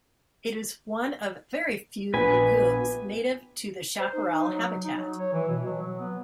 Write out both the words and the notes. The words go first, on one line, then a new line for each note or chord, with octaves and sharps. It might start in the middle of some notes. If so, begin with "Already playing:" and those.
It is one of very few legumes native to the chaparral habitat.
A#1 B3 B4 G#5
C5
D#4
D#4
F#3
D#4
F#3
C#5
E3
B2
F#3
F#3
B3